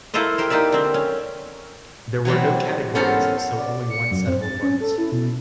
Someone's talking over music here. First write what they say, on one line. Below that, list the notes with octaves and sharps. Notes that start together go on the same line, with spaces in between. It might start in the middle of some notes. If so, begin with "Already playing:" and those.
There were no categories, so only one set of awards.
E4 F4 A4 A#4 C5 D#5
G4 A#4 C5
A#3 D#4 G4 D5 E5
D3 C4
C#4
E3 F#3 G3 C4
B3 C#4 A4 A#4 C5
D5
C#7
F#2
C4
A6
C#4
A4
E4
B2